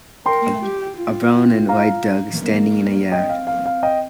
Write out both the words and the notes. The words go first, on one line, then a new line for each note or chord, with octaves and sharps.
A brown and white dog standing in a yard.
A#4 G5 C6
G4
F4
F5 A#5
A#3
C4 D#5 G5
F5
F5
F5
D#5 G5